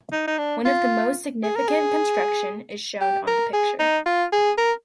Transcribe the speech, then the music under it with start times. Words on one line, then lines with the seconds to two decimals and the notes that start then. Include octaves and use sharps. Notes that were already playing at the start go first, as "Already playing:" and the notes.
One of the most significant construction is shown on the picture.
0.13 D#4
0.27 D#4
0.38 D4
0.65 F4
1.43 G#4
1.56 A#4
1.68 G#4
3.01 G4
3.27 A#4
3.53 G#4
3.79 D#4
4.06 F4
4.32 G#4
4.58 A#4